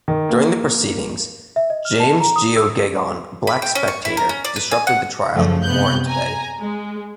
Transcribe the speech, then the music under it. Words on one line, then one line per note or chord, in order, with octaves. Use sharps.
During the proceedings, James Geoghegon, a black spectator, disrupted the trial in Morant Bay.
D#3
A#3
E5
D#5
F6
A5
A#5
D#6
E6
B5
G5
C#4
C#6
E4
A#4
C#4
D5
B4
G#5
F#5
F#2 C#3 F3 A3
C3 B3 F#6 G6
G#5 A#5
G#3